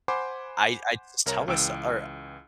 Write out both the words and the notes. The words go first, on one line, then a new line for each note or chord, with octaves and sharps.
I I just tell myse or
C5 F#5 G#5 B5 C6 D6
C2 A#4 C#5 A#5
C#2 E3 G5 E6 D7